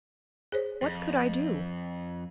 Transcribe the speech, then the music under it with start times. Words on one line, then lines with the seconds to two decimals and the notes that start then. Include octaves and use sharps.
What could I do?
0.52 G#4 C5 C#5
0.82 F2